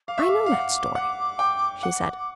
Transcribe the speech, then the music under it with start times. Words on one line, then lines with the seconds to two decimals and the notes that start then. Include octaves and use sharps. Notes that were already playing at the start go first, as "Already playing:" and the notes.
"I know that story," she said.
0.08 F5 D6
0.18 E5 C#6
0.28 F5 D6
0.46 F5
0.51 F#5
0.95 F#5
1.39 G5
1.83 F#5